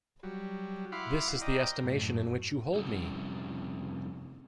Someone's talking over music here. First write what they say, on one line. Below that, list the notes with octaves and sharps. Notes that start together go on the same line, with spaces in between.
This is the estimation in which you hold me!
F#3 G3
E4 F5 F#5 B5 C6 D6
D5 D#5 G5 A#5
F#2 A2
F2 C3 G3 C#4 E4 F#4